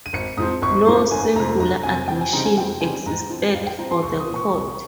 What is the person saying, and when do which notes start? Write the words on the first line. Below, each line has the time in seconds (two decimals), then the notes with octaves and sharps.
No singular admission existed for the court.
0.06 D#7
0.13 G#1 C#7
0.37 G#2 F3 C4 D#6
0.62 G#1 C#6
0.86 G#2 F3 C4 C6
1.11 G1 G#5
1.36 F2 C3 A#5
1.59 G1 A#5
1.83 F2 C3 G#5
2.08 F2 G5
2.21 G#5
2.33 C#3 G3 C4 D#4 A#5
2.45 G#5
2.57 F2 G5
2.81 C#3 G3 C4 D#4 G#5
3.06 G#2 A#5
3.30 F3 C4
3.54 G#2 F5
3.66 G5
3.78 F3 C4 A#5
3.91 C6
4.03 C2 C#6
4.20 D#6
4.28 A#2 F3
4.36 C#6
4.52 C2